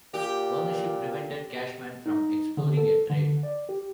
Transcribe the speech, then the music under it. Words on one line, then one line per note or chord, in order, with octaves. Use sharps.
Ownership prevented Cashman from exploring a trade.
A#2 G4
D#4
D3
A4
D3
D5
G4